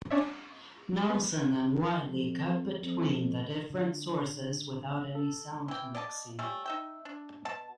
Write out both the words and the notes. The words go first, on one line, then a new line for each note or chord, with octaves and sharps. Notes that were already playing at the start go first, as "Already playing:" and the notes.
Nelson and Wiley cut between the different sources without any sound mixing.
C#4 D4 C#5 D5 E5
B3
F2
F2
D3
A4
E3 G5
D5 D#5 G#5 A5
G3 A3 C#4
D#4 E5 G5
D4
B2 A5